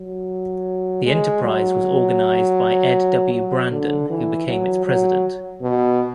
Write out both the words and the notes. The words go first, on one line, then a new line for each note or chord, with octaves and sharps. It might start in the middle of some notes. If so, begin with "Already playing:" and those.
The enterprise was organized by Ed W. Brandon who became its president.
Already playing: F#3
G#3
F#3
F#3
D3
E3
F#3
F#3
B2